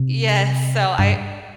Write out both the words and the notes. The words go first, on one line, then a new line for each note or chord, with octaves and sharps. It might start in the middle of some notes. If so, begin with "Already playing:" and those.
Yes, so I
Already playing: C3
G2